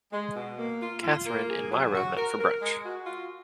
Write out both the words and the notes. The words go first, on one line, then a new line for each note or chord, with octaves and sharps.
Catherine and Mira met for brunch.
G#3
B2
A#3
F4
F4
A#3
G#4
F#3
F#4
A#4
A#4
G#3
F#4
F4